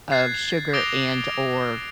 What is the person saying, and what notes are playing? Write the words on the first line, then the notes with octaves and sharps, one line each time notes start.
of sugar and/or,
F#6 G#6 A6 C7
D6 D#6 A#6 D7 F7 G7